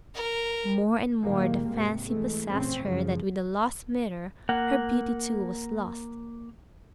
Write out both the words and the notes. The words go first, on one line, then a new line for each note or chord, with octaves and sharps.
More and more the fancy possessed her that with the lost mirror her beauty too was lost.
A#4
A#2 D#3 G3 G#3 A#3
G#2 C3
E3 G#3 A3
A1 A#2 C#3 C4 C#4
C#2 F#2 C#3 F3
A#3 A#4 F#5